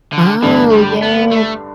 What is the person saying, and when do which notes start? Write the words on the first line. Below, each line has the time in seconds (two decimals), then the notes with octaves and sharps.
Oh, yes.
0.13 D3
0.42 G2 D3 E3 A3 D4
0.72 G3
1.02 B3
1.31 A3